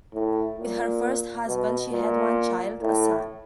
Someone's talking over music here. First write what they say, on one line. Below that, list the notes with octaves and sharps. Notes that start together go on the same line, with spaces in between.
With her first husband she had one child, a son.
A2
A#2
B2
A#2
A2